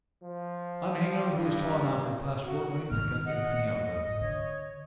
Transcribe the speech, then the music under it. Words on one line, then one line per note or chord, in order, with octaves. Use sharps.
I'm hanging on to his taw now for the past fortnight and I can't get a penny out of him.
F3
G2
F#4
A#1 D#3 F6
D#5 F#5
G#2 D#6
D3 C#5